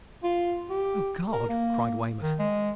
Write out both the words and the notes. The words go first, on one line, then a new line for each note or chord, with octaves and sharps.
"Oh, God!" cried Weymouth.
F4
G4
A#4
A#3
D#3
G#3